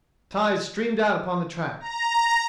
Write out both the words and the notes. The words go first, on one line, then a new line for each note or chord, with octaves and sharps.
Ties streamed out upon the track.
A#5